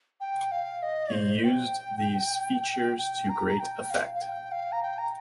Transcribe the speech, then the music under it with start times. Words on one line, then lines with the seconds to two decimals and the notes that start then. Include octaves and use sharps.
He used these features to great effect.
0.20 G5
0.51 F5
0.82 D#5
1.13 C5
1.43 G5
2.98 G5
3.29 A#5
3.48 A#5
3.59 G5
3.91 F5
4.14 F5
4.22 G5
4.52 F5
4.72 A#5
4.83 G5
4.98 A#5